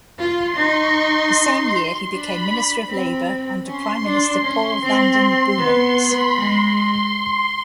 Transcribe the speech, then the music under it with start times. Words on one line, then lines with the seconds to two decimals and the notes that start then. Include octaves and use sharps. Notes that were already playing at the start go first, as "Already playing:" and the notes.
The same year he became minister of Labour under Prime Minister Paul Vanden Boeynants.
0.19 F4 C6
0.57 D#4 C#6
0.95 C6
2.11 D4 B5
2.89 C4
3.66 C#4 C6
4.04 D4 C6
4.43 C#4
4.81 C4 C6
5.58 B3 C6
5.98 B5
6.36 G#3 C6
6.74 C6